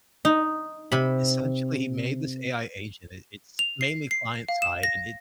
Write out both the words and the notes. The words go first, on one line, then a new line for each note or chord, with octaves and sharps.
Essentially, he made this AI agent. It it's mainly client side, and it
D#4
C3 B5
F7
C7
C7
F5
E7
A#6